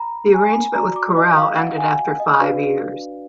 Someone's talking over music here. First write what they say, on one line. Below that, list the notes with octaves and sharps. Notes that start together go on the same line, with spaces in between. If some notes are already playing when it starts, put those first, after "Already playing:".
The arrangement with Corel ended after five years.
Already playing: A#5 B5
G#5
F#4 D5 A#5
D6
D#5
F5
F#5
G#5
D#5
D4 F#4 B4 D5 F5